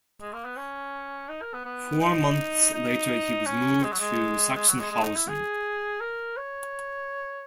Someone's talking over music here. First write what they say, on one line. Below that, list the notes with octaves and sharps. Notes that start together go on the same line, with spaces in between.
Four months later he was moved to Sachsenhausen.
G#3
A#3
B3
C#4
D#4
A#4
B3
B3
D#4
D#4
C#4
G#3
F#3
G#3
G#3
F#3
G#3
G#3
D#4
E4
G#4
A#4
C#5